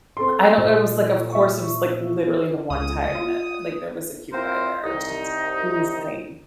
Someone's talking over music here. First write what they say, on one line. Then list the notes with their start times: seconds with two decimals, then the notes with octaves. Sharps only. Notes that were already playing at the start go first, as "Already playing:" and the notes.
I don't I was like, "Of course, it was, like, literally the one time that, like, there was a cute guy there." Just insane.
0.17 C4 A4 C6
0.58 A#2 A4 C5 D#5
1.32 E5 C#6
2.70 C#2 D#6
3.15 F4
4.32 C4 E4 F4 A#4 C5
4.83 C2 D#4